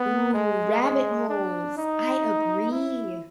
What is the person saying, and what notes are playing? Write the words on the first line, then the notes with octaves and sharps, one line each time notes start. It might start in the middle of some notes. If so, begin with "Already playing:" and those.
Ooh, rabbit holes, I agree,
Already playing: B3
G#3
G#3
D4
D#4
E4